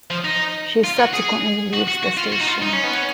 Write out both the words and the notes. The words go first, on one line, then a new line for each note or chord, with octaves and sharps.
She subsequently leaves the station.
F3
D#4
F4
F#4
G#4
F#4
F#4
F#4
F4
F#4
D#4
F4
D#4
C#4
B3
C#4